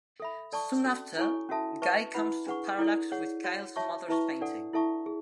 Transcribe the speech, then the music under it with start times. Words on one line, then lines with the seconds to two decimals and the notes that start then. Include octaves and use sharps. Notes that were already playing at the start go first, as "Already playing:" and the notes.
Soon after, Guy comes to Parallax with Kyle's mother's painting.
0.20 A4 E5 B5
0.52 A4 D5 A5 C#6
0.84 C#4 F#4 A4
1.17 E4 A4 C#5 G#5 C#6
1.49 C#4 F#4 A4 E5 A5
1.82 B4 E5 A5 C#6
2.14 E4 B4 F#5 B5
2.47 D4 G#4 B4 F#5 C#6
2.79 E4 A4 D5
3.12 G#4 C#5 F#5
3.44 F#4 C#5 F#5
3.76 F#4 C#5 E5 A5 C#6
4.08 E4 B4 E5 A5 C#6
4.41 D4 A4 D5 F#5
4.73 E4 A4 E5 A5 C#6
5.06 G#4